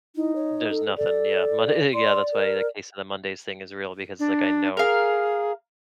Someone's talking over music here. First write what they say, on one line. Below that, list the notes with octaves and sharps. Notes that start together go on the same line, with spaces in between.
there's nothing, yeah, Monday yeah, that's why the case of the Monday's thing is real, because, like, I know
D#4 E4
C#5
A4
A4 D5
D5 C6
A#4
D4
G#4 A#4 F5